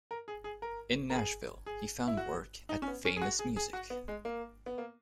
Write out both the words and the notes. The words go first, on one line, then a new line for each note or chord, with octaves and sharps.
In Nashville, he found work at Famous Music.
A#4
G#4
G#4
A#4
A#4
G#4
G#4
E4
F#4
D#4
C#4
B3
C#4
G#4
F#4
G#4
G#4
F#4
B3
G#3
A#3
B3
A#3